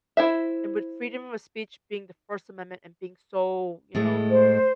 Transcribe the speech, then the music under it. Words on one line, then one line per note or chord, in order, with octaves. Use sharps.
and with freedom of speech being the First Amendment and being so, you know
E4 C5 E5
A2 G#3 A3
C5